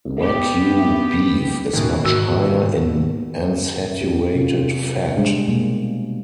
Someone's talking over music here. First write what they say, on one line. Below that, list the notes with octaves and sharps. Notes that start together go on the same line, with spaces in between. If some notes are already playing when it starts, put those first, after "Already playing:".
Wagyu beef is much higher in unsaturated fat.
B3 G4
B2 D#3 E3 A#3
G#2 F#4 E6
G4
C3 F4
G3 G#3 D4 G#4 C5
B2 G#3 A#3